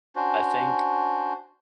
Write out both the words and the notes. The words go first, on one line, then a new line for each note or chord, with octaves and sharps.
I think
C#4 D4 F#4 C5